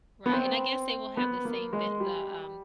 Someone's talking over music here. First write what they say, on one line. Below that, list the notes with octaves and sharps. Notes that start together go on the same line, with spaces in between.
Right, and I guess they will have the same ve the, um
B3
C4
B3
A#3
G#3
G3